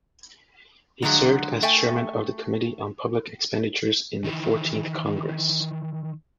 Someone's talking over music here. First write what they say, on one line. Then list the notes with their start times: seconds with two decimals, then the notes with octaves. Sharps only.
He served as Chairman of the Committee on Public Expenditures in the Fourteenth Congress.
1.02 D3 F3 F#3 G#3
1.63 A3 E5 G5 G#5
4.24 D#3 E3